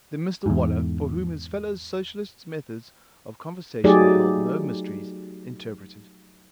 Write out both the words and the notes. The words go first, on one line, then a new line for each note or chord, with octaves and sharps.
Then Mr Waller, for whom his fellow Socialist's methods of conversation held no mysteries, interpreted.
E2 G#2
F#3 A3 D#4 G4 G#4 D5